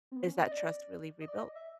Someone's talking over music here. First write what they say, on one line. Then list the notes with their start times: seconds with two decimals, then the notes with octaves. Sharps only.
is that trust really rebuilt?
0.12 C4
0.16 B3
0.25 C#4
0.42 D#5
0.52 D5
1.21 D#5
1.28 D5
1.35 D#5
1.55 E5